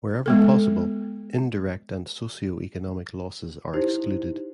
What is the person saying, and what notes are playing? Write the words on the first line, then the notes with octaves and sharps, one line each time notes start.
Wherever possible, indirect and socioeconomic losses are excluded.
G#3 B3 A4
D#4 E4 G4 C5